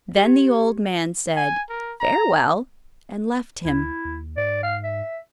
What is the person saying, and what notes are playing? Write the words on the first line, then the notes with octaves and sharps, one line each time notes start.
Then the old man said "Farewell," and left him.
G4
G#5
A#4
A#5
D2 E4
D#2
G#2 D5
F5
E5